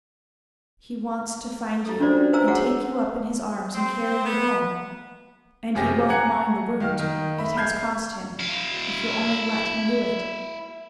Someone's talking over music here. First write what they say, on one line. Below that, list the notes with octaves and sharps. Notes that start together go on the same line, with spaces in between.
He wants to find you, and take you up in His arms, and carry you home; and He won't mind the wounds it has cost Him, if you'll only let Him do it.
E4 A4
C#4 D4 F4 F#4 C5 D5
C#4
B4 C5 F5 G#5 A#5 E6
F#4 G#4 C#5 F5 F#5
C4
B3
F#2 C3 G4 G#4 A#6
F#5 G#5 A#5 F#6 G#6 C#7
D#3 F5 F6
D#3
E5 B5
F6 G6 G#6 C7
E4 F5